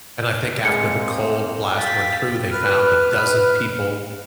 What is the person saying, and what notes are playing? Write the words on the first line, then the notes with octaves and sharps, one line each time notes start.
And I think after the cold blast went through; They found a dozen people
G#3 A#3 C4 C#7
F5 G5 A6 B6
B4 F6